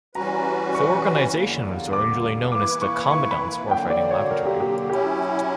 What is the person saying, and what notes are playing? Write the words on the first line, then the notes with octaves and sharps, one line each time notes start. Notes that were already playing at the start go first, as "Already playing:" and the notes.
The organization was originally known as the Commandant's Warfighting Laboratory.
E3 G3 C#4 F#4 B4 A#5
C#6
E2 D3 G3 A#3
D6
E3 A#3 E4 B4 D6
C#6
C#6
B5
D3 F#3 A#3 G5
D5
C#5
A#4
G4
G4
F#3 C#4 E4 G4